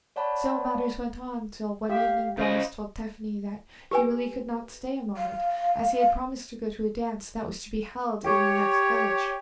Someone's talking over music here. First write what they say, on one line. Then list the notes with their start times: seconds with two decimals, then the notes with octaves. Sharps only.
So matters went on till one evening Denis told Tephany that he really could not stay a moment, as he had promised to go to a dance that was to be held in the next village.
0.16 C#5 D5 F#5 A5 B5
1.89 G4 E5 F5
2.38 C#3 C5 D#5
3.91 G4 B4 G#5
5.17 F5
8.25 G4 C#5